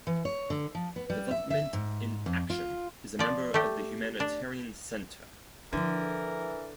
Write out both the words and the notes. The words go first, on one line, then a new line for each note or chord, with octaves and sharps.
Development in Action is a member of the Humanitarian Centre.
E3
C#5
D3
F3
B3
G3
E5
E5
G#2
F2
F4
F3 D5
A3 G4
D4
D3 E3 F3 E4 A#4